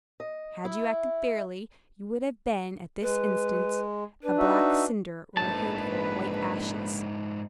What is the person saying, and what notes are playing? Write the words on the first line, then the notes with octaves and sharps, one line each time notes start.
Had you acted fairly, you would have been, at this instant, a black cinder, or a handful of white ashes.
D#5
E4
G#3 B4
D4 B4
D#4 F#4 E5
A#1 G#2 A3 B4 A5